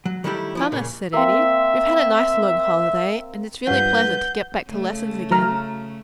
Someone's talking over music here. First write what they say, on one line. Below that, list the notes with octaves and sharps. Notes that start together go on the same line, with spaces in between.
"Mamma," said Eddie, "we've had a nice long holiday, and it's really pleasant to get back to lessons again."
F#3
D#3 G3 A3 D4 E4 G4
F3 E4 F4
A#2 C#3 A#3 C#4
A#3 C4 E5
G2 F3 B4 F#5 G6
C#3 A3
F#3 A#5 F6